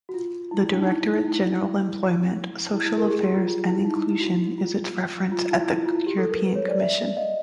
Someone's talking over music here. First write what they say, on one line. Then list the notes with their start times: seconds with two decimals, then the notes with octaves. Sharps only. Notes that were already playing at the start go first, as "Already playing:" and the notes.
The Directorate-General Employment, Social Affairs and Inclusion is its reference at the European Commission.
0.09 F#4
0.14 F4
0.51 E4
0.72 D4
0.81 D#4
0.88 E4
1.01 D#4
1.13 D#4
1.26 E4
2.73 E4
2.86 E4
2.98 A#4
3.04 G4
3.10 G#4
3.23 G4
3.34 F4
3.48 F4
3.66 E4
3.85 D#4
3.91 E4
3.96 D#4
4.09 E4
4.21 F#4
4.58 F4
5.32 F4
5.51 E4
5.70 E4
5.86 F4
5.94 E4
6.07 G4
6.18 A4
6.31 A#4
6.43 B4
6.55 C#5
6.67 C5 D5
6.80 D5 E5
7.17 D#5 F5